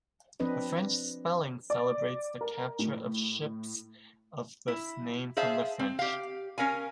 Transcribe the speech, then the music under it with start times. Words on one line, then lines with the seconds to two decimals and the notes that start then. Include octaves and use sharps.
The French spelling celebrates the capture of ships of this name from the French.
0.40 F3 C4 D4 B4 D#5
1.70 D5
2.41 A#4
2.79 A2
4.68 E4
5.37 G#4 C5 E5 F5 A5
5.79 C4
5.99 G4 F5
6.58 C#4 A#4 F5 G#5